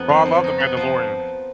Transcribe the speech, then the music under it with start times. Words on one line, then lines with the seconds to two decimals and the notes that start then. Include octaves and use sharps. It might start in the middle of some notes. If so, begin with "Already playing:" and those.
Bro, I love The Mandalorian.
Already playing: F2 B3 D#4
0.09 F3
0.26 F2
0.44 D#4
0.60 B3
0.77 F3